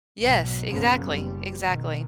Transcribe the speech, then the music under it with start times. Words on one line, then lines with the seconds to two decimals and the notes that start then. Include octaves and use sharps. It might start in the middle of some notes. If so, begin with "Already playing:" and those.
Yes, exactly, exactly.
0.19 B1 G#2 B2 F#3
0.68 F#1 F#2 C#3 F3 A#3 B3
1.06 F#1 G3
1.62 B2 D#3